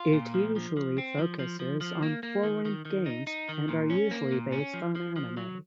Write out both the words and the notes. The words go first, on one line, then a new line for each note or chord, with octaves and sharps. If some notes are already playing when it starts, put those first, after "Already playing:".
It usually focuses on foreign games, and are usually based on anime.
Already playing: F4
A#2
F3
F3
F3
C4
F3
F3
F3
F3
A#3
A#3
D#3
D#3
D#3
D#4
D#4
D#3
A#2
C#4
A#3
A#2
C#4
F3
F3
F3
F#3